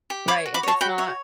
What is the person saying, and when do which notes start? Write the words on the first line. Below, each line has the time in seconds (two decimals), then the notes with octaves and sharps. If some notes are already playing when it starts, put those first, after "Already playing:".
Right, if it's not
0.10 G4
0.28 C#5 B5 D6
0.46 F#4
0.54 B5 D6
0.63 C#5 A5 C#6
0.81 F#4 G5 B5
0.98 C#5 E5